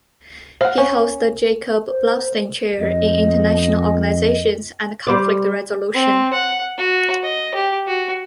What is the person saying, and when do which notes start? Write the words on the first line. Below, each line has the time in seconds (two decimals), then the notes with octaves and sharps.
He holds the Jacob Blaustein Chair in International Organizations and Conflict Resolution.
0.61 C5 F5 F#5
0.78 C#4 C5
1.87 C5
2.80 F2 D#5
5.07 G3 C5 D5
5.94 C4
6.33 F#5
6.77 F#4
7.23 D#5
7.54 G4
7.87 F#4